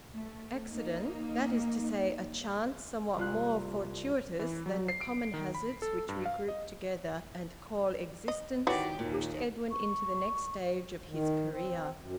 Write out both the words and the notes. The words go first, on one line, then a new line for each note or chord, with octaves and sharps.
Accident--that is to say, a chance somewhat more fortuitous than the common hazards which we group together and call existence--pushed Edwin into the next stage of his career.
A3
A#3 D#4
C2 F4 F#6
E3
F#3
C7
D7
D#3
B5
A4
G2
F5
D#5
D#5
D#3 E3 F#3 F#4 G4 D5
D#2 A#2
C#6
D#3
C4
F#2